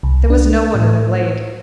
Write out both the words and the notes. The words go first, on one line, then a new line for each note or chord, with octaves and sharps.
There was no one in the glade.
C2
D4
A2